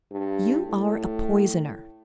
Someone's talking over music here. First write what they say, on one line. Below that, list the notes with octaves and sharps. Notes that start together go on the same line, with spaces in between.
"You are a poisoner."
G2
A2